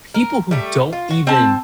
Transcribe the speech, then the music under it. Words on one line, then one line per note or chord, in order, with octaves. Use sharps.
people who don't even
A#4
G3 A3
F4
F#4
C4 A5